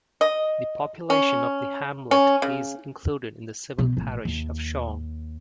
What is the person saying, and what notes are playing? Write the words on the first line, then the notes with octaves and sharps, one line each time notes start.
The population of the hamlet is included in the civil parish of Shorne.
D#5
C#4
C#4
C#3
B2
A1
D#2